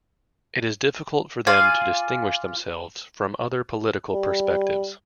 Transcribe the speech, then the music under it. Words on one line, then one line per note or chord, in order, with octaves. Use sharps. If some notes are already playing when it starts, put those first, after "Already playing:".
It is difficult for them to distinguish themselves from other political perspectives.
F4 D5 F5 G#5
G3